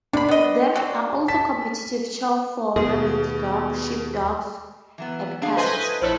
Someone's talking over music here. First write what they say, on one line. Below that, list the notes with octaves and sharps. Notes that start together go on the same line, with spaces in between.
There are also competitive shows for rabbits, dogs, sheepdogs, and cats.
C3 D4 B5
B3 D#5
F#3 C4
A5 B6
D#2 B2 A3 G#4
E3 F#3 B3
D4 G#4 F5
A2 A4 B4 C5 D#5 G#5
A#1 E4 A4 C5 C#5